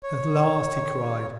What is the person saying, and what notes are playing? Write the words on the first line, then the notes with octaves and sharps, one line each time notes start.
"At last!" he cried.
C#5